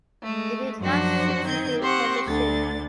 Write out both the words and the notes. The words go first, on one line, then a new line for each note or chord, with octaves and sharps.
He did not seek city permission.
G#3 A3
F#2 F3 D4 F#4 C5
D#3 C4 G6 G#6
C4 G4 C5 F#5 C#6
D2 D3 A6